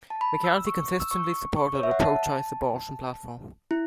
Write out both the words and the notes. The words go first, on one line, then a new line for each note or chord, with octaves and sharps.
McCarthy consistently supported a pro-choice abortion platform.
A5
B5
E6
C#6
E6
C#6
C#6
C#5
E5
F#5
A5
E4